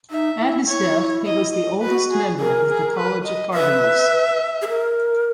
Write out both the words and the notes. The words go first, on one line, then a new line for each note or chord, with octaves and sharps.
At his death he was the oldest member of the College of Cardinals.
D#4 E5
E4
E4 C#5
D#5
D#5
F#4 B4
G#4
G#4 A#4
G#4
B4
D#5
B4 E5
G#4
A#4